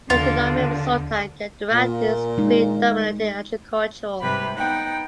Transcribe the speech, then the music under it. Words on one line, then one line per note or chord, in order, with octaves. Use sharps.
The economy of Sultan Kudarat is predominantly agricultural.
D#2 D3 F4
A#2
G#3 D#4
G#2 C3 G3 G4 B4 B5
B3 D#4 F#5 G5